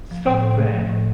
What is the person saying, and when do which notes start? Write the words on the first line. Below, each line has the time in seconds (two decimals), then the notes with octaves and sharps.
Stop that!
0.11 F3
0.27 A2
0.43 A2
0.59 A3
0.74 F3
0.89 A2